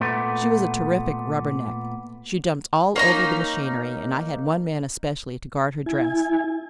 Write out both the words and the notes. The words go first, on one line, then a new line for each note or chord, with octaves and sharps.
She was a terrific 'rubberneck.' She jumped all over the machinery, and I had one man especially to guard her dress.
A#2 A3 B3
A#3 C#4 D#4
E4 G#5